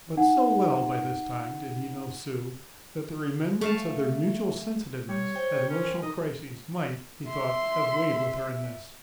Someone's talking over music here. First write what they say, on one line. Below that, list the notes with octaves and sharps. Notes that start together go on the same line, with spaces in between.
But so well by this time did he know Sue that the remembrance of their mutual sensitiveness at emotional crises might, he thought, have weighed with her in this.
D#4 F#5
A3 F5 A5
G3 C#5
C5 G5
C#4 A#4 C5
D#4 D#5
E5 C6